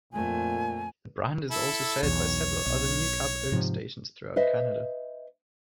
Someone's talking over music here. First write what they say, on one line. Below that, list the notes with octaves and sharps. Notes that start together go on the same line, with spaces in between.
The brand is also shared by several other NewCap-owned stations throughout Canada.
F2 A#2 A3 G#5
E4 A4
B1 E2 C#5
B1
G#2 C3 F3
B4 C5 D#5 E5